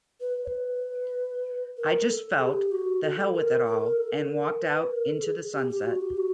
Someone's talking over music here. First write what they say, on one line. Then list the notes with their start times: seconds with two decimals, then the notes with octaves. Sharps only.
I just felt 'the hell with it all' and walked out into the sunset.
0.21 B4
0.45 C#5
0.48 B4
1.78 A#4
2.08 A4
2.40 G#4
2.44 G4
2.72 F#4
3.03 A4
3.35 A#4
3.66 A#4
3.74 A4
3.81 A#4
3.97 A4
4.08 A#4
4.18 A4
4.29 A#4
4.60 B4
4.91 A#4
5.07 A4
5.23 G#4
5.54 G4
5.70 G4
5.86 F#4
6.01 G4
6.17 F#4